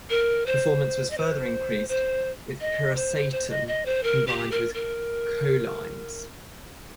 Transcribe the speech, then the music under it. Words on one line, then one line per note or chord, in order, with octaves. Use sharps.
Performance was further increased with piracetam combined with cholines.
A#4
C5
D#5
C5
C5
D#5
C5
C5
D#5
D#5
C5
A#4
G4
A#4
A#4